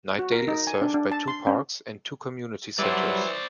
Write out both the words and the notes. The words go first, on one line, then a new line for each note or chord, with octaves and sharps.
Knightdale is served by two parks and two community centers.
F#4
A#4
D#4
G#5
D4
D4
A5
C6
C#4
E3 F#3 G3 G4 C5 D5